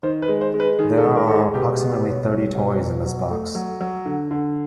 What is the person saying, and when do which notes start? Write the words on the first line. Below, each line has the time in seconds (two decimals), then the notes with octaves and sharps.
There are approximately thirty toys in this box.
0.03 D#3 C5
0.22 B4
0.28 G#3
0.41 C5
0.54 G#3
0.60 B4
0.79 D#3 G#4
0.98 A4
1.04 G#3
1.16 A#4
1.28 G#3 A4
1.35 G#4
1.54 B2 G4
1.73 G4
1.79 B3
1.92 G4
2.05 B2
2.11 C#5
2.29 G3 C#5
2.55 B2
2.79 B2
3.05 F#3
3.30 A3
3.55 F#3
3.81 F#3
4.05 D3
4.31 D3